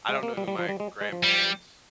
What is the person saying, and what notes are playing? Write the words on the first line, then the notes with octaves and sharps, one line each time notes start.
I don't know who my grandparents'
G#3
A#3
G3
G3
F3
G3
G#3
G#3
F3
G3